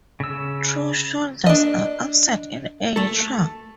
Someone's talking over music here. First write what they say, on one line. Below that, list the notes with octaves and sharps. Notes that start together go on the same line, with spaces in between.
True shoulders are absent in elytra.
C#3 E6
D4 D#5
A3 A4